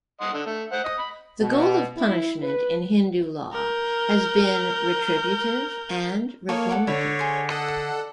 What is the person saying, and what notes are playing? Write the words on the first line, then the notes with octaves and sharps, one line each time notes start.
The goal of punishment, in Hindu law, has been retributive and reformative.
D#5 F#5 C6
D3
A3
C5 F#5
D#5
B5
B2
E4
B4
A#4 G6
A#3 A4 C#5 D#5 F5
A4 F#5 D6
D3 C#5 B5
G#4 C5
A4 D#5 F#5